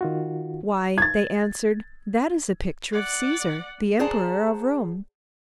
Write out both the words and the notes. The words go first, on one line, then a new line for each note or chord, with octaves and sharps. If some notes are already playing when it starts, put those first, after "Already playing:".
"Why," they answered, "that is a picture of Caesar, the emperor of Rome."
D#3 F4 F#4
G#6 A6
D5 F#5
G#4 C5 D5 F#5 A5 A#5